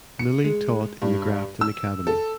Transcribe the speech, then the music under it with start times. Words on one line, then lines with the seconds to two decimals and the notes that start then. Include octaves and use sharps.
Lillie taught in The Grafton Academy.
0.19 C#7
0.44 G#3
1.02 G2
1.61 E6
2.07 A4